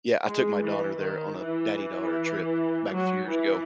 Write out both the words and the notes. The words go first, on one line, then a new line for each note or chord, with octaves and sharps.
Yeah, I took my daughter there on a daddy-daughter trip back a few years ago.
G#3
E3
D#3
E3
E3
F#3
E3